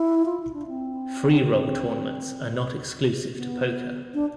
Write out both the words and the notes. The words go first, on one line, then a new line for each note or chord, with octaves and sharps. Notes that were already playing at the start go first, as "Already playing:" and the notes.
Freeroll tournaments are not exclusive to poker.
Already playing: E4
F4
E4
D4
C4
B3
D4